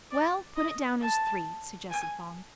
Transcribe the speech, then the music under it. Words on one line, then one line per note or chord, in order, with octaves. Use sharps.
"Well, put it down as three," suggested Thong.
D5
D#5
A5
G#5